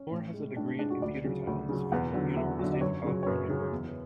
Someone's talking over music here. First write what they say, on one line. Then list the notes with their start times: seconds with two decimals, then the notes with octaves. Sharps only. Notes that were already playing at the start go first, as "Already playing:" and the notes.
Moore has a degree in computer science from the University of California, Berkeley.
Already playing: C#4
0.11 A2
0.34 G#3
0.56 A2 D4
0.68 D4
0.79 G#3 D4
0.90 F#4
1.02 D2 D5
1.24 C#3 F#3
1.47 D2
1.69 C#3 F#3
1.92 E2 F#5
2.14 D3 F#3
2.36 E2 E5
2.59 D3 F#3
2.73 D5
2.81 F#2 C#5
3.04 C#3 F#3
3.23 C#5
3.26 F#2 B4
3.49 C#3 F#3
3.72 E2